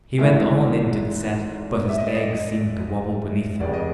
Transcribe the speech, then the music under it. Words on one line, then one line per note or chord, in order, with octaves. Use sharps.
He went on into the set, but his legs seemed to wabble beneath him.
G#1 G#2 E3 A3 E5
E5
D#5
D5
D#5
F1 F2 C#3 D5
D#5